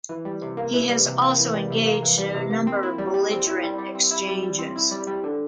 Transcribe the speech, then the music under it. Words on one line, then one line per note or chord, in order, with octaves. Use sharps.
He has also engaged in a number of belligerent exchanges.
E3
G3
C3
A#3
E3
G3
C3
A#3
E3
G3
C3
A#3
E3
G3
C3
A#3
C4
E4
G3
G3
C4
E4
G3
G3
C4
E4
G3
G3
C4
E4
G3
G3
D3